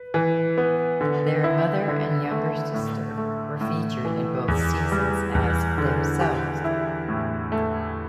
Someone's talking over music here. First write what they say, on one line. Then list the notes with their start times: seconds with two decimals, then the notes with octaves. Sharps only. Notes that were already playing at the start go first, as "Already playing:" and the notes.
Their mother and younger sister were featured in both seasons as themselves.
Already playing: B4
0.14 E3
0.58 B3
1.01 D3
1.44 E4
1.88 D3
2.31 A3
2.74 A2
3.17 A3
3.61 A2
4.05 E3
4.48 E2
4.92 G3
5.35 E2
5.78 D3
6.21 G4
6.64 E4
7.09 A2
7.52 A3